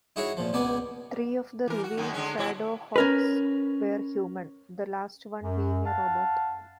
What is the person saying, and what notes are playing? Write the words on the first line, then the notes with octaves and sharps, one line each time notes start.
Three of the revealed ShadowHawks were human, the last one being a robot.
D#4 E4 F#4 G#4 C#5
A#2 F3
C#2 B2 B3 D5 G#5
E3 A#4
F#4
F#2 D#3 A3
D3 G#3 C#4
B2 E4 C#5
C#4 A#4 B4
F#2
F5 F#5 A5